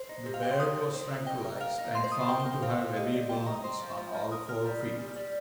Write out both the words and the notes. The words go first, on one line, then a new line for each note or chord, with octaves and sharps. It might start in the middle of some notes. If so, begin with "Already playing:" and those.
The bear was tranquilized and found to have heavy burns on all four feet.
Already playing: C5
D#4
C3
F5
C3 G5
C6
C4 D#6
F3
C4
F4
D#4 G5
A#4
A#4 F5
D#4
F3 C6
C5
F3 D#6
C6
A#4 G5
G5
A#4
G5
C4 F5
C4
C3 D#5
G3
F3 G5
D#4 A#5
C4 C6
F3
F3
A#4
A#4 D#6
A#4 F6
G3
A#2
G3
G3